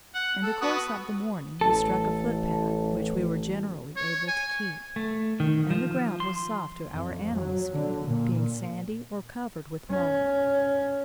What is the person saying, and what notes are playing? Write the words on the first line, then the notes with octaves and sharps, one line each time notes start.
In the course of the morning we struck a foot path, which we were generally able to keep; and the ground was soft to our animals feet, being sandy or covered with mould.
F#5
A4
B3 F#4 D#6
A1 A4
C#5
G#5
A3
D#3
F3
C6
F2
F#3
D3
A#2
C#4